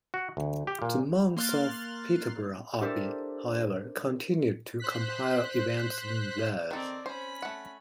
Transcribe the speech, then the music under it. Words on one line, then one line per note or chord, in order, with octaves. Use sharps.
The monks of Peterborough Abbey, however, continued to compile events in theirs.
F#4
D2
G4
A#2
A#3 C6 F6 F#6 A6
D4 G4 A4 A#4 C5 E5
C5 F#6 B6
D#3 C4 A4 D5
C#4 C5 B5
A3 F#5